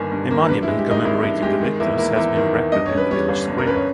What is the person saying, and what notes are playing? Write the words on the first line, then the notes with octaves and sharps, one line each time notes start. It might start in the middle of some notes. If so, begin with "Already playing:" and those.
A monument commemorating the victims has been erected in the village square.
Already playing: G1 G2 D#3 A#3 G#5
G2
A#3
G2 B4
E4
G#3
G4
D#3 D#4
G#1 E4
G2 E4
G#3 G4
D#3
E2 E4
A#3 E4
E2 E4
D#3
E2
G2 D#5
C#5
C#4
B4
G3 C#5
G1
G2
A#4
C#4 B4
C#5